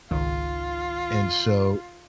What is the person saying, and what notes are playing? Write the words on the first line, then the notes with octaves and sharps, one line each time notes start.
and so
G#1 C#2 D#3 F4